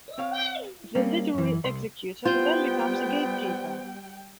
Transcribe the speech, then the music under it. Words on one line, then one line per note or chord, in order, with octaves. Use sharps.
The literary executor then becomes a gatekeeper.
C4 C#5 F5
G3 A#3 C4 C#4
F#2 E3
C2 C6
G3 B3 F4 C5 G5 G6